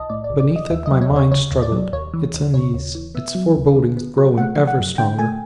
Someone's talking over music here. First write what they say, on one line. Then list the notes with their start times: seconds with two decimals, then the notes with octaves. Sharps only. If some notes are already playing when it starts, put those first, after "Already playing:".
Beneath it my mind struggled, its unease, its forebodings growing ever stronger.
Already playing: B1 F3 D#5 A5
0.09 A2 D5
0.24 D5
0.30 B1
0.40 D5
0.50 F3
0.56 D#5
0.71 D#2 E5
0.86 D#5
0.91 F#3
1.01 C#5
1.11 D#2
1.16 C#5
1.32 C#3 C#5
1.52 D#2
1.62 D5
1.72 F#3
1.93 D#2 C#5
2.14 E3
2.34 D#2
2.54 C#3 C#5
2.74 D#2
2.95 E3
3.15 B3 E5
3.35 F#3
3.56 D2
3.76 D3
3.97 B3
4.17 F#3
4.38 A3 F#5
4.58 F3
4.67 F#5
4.78 F#2
4.98 D3 G5
5.19 A3 G#5